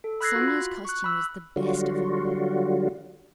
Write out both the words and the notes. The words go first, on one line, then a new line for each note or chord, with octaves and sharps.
Sonya's costume was the best of all.
A4
B5 E6 F#6 G#6 A#6 C7
F4 F#4
B5
C#6 F#6
B5 E6
D3 F#3 G3 F4 F#4